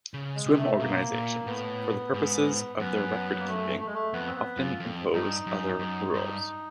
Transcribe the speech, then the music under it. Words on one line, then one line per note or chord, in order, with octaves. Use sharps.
Swim organizations, for the purposes of their record keeping, often impose other rules.
C#3
G#3
C3
A3
B2 A#3
A#2
A2 B3
G#2
F#2 B3
A#3
A3
A3
G#3
A3
F2 B3
C4
B3
F#2 F4
F2
G2 D#4
F#2
F#2
G2